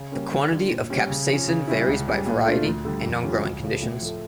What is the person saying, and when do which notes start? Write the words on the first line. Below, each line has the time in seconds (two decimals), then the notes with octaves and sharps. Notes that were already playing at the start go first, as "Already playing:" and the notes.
The quantity of capsaicin varies by variety, and on growing conditions.
Already playing: C#3
0.12 G3 A#3 C#4
0.32 D3
0.51 G3 D4 F4
0.70 A#2
0.90 G3 C#4 G4
1.10 C#3
1.29 F3 C#4
1.48 C#3
1.68 G3 C#4 E4
1.87 C#2
2.07 C#3 G3
2.26 A#2
2.46 A3 D4 F4
2.65 D2
2.85 D3 G3
3.04 F2
3.23 D3 G3 C#4 F4
3.43 C#2
3.62 C#3 F3 A3
3.82 A2
4.02 F3 A3